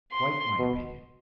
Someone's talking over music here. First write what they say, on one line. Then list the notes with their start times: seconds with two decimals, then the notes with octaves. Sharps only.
"Quite my opinion."
0.12 C6
0.59 B2